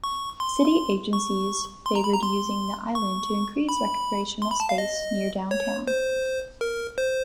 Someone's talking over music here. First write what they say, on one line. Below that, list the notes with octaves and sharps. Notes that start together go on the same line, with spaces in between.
City agencies favored using the island to increase recreational space near Downtown.
C#6
C6
C#6
C6
A#5
B5
A#5
C6
C#6
B5
C6
B5
A5
F5
D#5
C#5
C5
A#4
C5